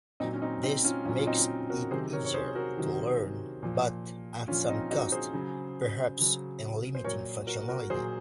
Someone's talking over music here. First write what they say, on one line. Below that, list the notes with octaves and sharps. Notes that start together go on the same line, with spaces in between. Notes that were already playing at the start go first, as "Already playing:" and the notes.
This makes it easier to learn but at some cost, perhaps, in limiting functionality.
A#2 F#3 C4 D#4
C#4
C4 D#4
C4 D#4
C#4 F4
A#2 F#3 C#4 F4
F4
C4 D#4
F#4 A#4
C3 D#3 F#3 G#4 C5
A#4 C#5
C#5
G#4 C5
F#4 A#4
C3 D#3 F#3
A#2 F3
A#2 F3 C#4 F4
C4 D#4
D#4 F#4
G#4 C5
C#3 F#3
C#3 F#3
C5
A#2 F#3 A#4 C#5
F#4 A#4
F#4 A#4
A#2 F#3 G#4 C5